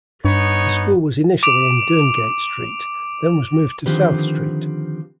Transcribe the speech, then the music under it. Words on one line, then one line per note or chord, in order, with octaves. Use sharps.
The school was initially in Durngate Street, then was moved to South Street.
G2 B3 D#4 C#5
D6 D7 F7
D3 D#3 F3 C4 G4 B4